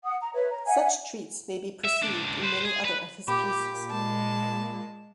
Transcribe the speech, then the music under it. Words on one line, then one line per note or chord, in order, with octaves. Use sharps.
Such treats may be perceived in many other of his pieces.
F#5 D#6
A#5
B4 C#5 E5
A#5
E5 F#5 G#5
E5
C#2 D4
B4 C5
G#4
B4
A#2 G4 B5 D6
G#3 A5